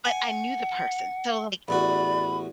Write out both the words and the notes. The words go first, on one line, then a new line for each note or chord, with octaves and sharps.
but I knew the person. So, like,
F#5 G#5
A1 E2 F#4 D5 B5